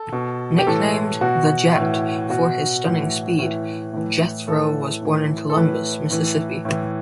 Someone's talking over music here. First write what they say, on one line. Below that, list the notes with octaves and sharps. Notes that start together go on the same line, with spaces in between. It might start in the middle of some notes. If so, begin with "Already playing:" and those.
Nicknamed "The Jet" for his stunning speed, Jethroe was born in Columbus, Mississippi.
Already playing: A4
B2
G4
A2 E3 A4
B2 F#4
A2 E3
B2 F#4
A2 E3
A2 E3
A2 E3
A2 E3 A4
A2 E3
A4
A2 E3 B4
A2 E3
A2 E3